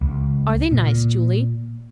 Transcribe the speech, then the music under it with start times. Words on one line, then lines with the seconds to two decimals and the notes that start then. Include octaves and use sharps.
"Are they nice, Julie?"
0.01 C#2
0.71 A#2